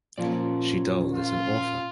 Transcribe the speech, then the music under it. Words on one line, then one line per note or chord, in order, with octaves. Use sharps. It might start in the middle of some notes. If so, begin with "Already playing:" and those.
Shital is an author.
A#2 F3 A#3 C#4 A#4 D5
F4